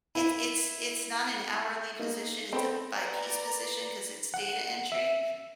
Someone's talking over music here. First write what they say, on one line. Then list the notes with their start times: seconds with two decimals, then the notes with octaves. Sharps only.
It it's it's not an hourly position, it's a by-piece position 'cause it's data entry,
0.15 E4
2.00 A#3 B3 D#4
2.53 B3 C4 A4 C5 G5 B5
2.93 B4 D5 A#5
4.34 F#5
4.92 E5